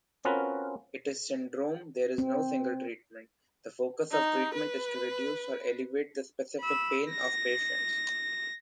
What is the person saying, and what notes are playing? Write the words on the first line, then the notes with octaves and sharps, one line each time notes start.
It is syndrome, there is no single treatment. The focus of treatment is to reduce or alleviate the specific pain of patients.
C4 C#4 F4 F#4 A#4 B4
C4
D#4
B4
B5 E6
A#6